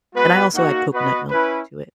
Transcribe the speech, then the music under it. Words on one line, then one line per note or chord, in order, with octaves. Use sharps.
and I also add coconut milk to it.
G#3 B3 F#4 B4
A#3 D#4 F#4
B3 F#4 B4 D#5
C#4 E4 B4